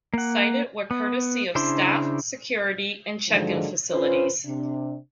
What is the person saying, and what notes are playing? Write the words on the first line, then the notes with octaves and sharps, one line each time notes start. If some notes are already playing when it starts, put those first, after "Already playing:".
Cited were courtesy of staff, security, and check-in facilities.
A#3 F#5
B3
C#3 D4 E4 C5 C6
G#2 D3 D#3 F3 F#3 G#3
C#4 F4 B4 C5
C3 D4